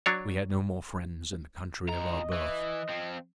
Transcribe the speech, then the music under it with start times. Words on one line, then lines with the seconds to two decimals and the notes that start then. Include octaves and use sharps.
We had no more friends in the country of our birth.
0.06 F#3 D4 C#5
1.89 F2 D#5 A#5
2.33 E3
2.89 F3 C4